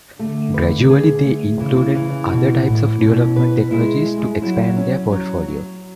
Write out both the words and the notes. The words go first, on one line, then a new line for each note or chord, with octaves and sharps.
Gradually they included other types of development technologies to expand their portfolio.
D3 A3
B4
G#4
A3
C#3 E3
E3
B2 F#4
A2 E3
B2 C#4
B4
G#3 E4
E4
F#3 E4
C#4
F#3
F#3